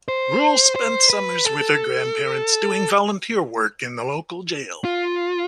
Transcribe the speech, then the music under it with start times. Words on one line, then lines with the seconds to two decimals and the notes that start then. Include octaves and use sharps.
Rule spent summers with her grandparents doing volunteer work in the local jail.
0.08 C5
0.76 C5
1.10 B4
1.45 A4
4.84 F4